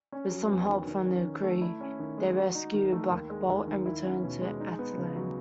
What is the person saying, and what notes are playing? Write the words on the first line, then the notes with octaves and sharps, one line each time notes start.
With some help from the Kree, they rescue Black Bolt and return to Attilan.
C#4
F#3
E2
D#3
D#3
C#4
D#3
A3
E4
C#4
D#3
G#3
F#4
D#4
D#3
A3
D#2
G#3
D#2
D#3
E4
C#4
B2
G#3
D#4
B3
C#3
F#3